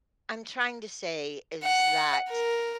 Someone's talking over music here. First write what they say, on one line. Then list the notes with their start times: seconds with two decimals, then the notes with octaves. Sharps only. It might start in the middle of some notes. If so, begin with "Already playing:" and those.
I'm trying to say is that,
1.64 F#5
2.29 A#4